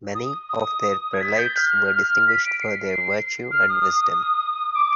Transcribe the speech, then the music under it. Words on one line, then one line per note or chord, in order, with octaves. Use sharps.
Many of their prelates were distinguished for their virtue and wisdom.
D#6
D#6
G#6
B6
G6
F6
B6
D7
C7
F6
D#6
D6